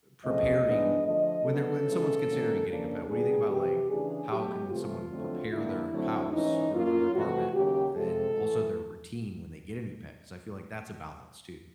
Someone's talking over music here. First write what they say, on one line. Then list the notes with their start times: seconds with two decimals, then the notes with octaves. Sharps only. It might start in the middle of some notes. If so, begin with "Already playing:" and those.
preparing when they're when someone's considering getting a pet, what do think about, like, how can someone prepare their house, or their apartment, and also their routine when they get a new pet, 'cause I feel like that's a balance, too.
0.24 F#2 C#3 F3 A3 C4 D#5
0.64 G#2 E3 G#3 B3 D4
1.05 D3 F3 A3 D#5
1.45 D3 F#3 B3 A4
1.86 C#3 E3 G#3
2.27 C3 D#3 F#3 A#3 C#4
2.68 C#3 F3 A#3 D4 A4
3.08 D3 G3 B3 D4 G#4
3.48 F2 C3 E3 G4
3.89 C#3 E3 A3 D4 G#4
4.29 B2 F#3 A3 G4
4.70 C3 E3 A3 F4
5.11 F2 D3 F#3 A3 C4
5.51 D3 G3 A#3 E4
5.92 D3 F#3 A3 C4
6.32 G#2 E3 A3 C#4 D#4
6.73 A2 F#3 A#3 C#4 F4
7.14 F2 C3 E3 A3 F#4
7.54 D#2 C#3 F#3 G4
7.95 C3 F3 G#3 A4
8.36 A2 E3 A3